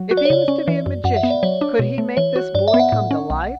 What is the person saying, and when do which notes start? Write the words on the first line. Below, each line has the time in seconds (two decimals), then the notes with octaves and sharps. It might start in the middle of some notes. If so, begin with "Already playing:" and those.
If he was to be a magician, could he make this boy come to life?
Already playing: F#3
0.11 F#4
0.17 D5
0.25 C#5
0.30 C#3 D5
0.48 C#4
0.68 E3
0.86 F#2
1.04 F#2 F#5
1.17 E5
1.23 B3
1.30 D5
1.43 F#3 C#5
1.61 D4
1.79 B2
1.98 A3
2.17 E3 C#5
2.36 F#4
2.55 G2 D5
2.68 E5
2.74 B3
2.79 F#5
2.92 A2
3.11 C#4
3.30 B1